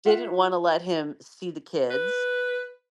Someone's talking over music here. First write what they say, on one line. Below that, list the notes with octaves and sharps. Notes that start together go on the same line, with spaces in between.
didn't want to let him see the kids,
F4 E5 F#5
B4